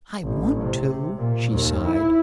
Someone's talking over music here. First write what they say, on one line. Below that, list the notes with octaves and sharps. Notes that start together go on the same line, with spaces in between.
"I want to," she sighed.
A1
C3
A#2
D#2
E4